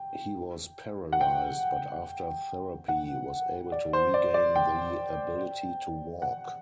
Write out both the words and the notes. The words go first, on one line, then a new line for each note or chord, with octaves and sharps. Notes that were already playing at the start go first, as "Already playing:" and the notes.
He was paralysed, but after therapy was able to regain the ability to walk.
Already playing: G5
F#5
G5
F#5
D5
C5
D5
D5
G5
F#5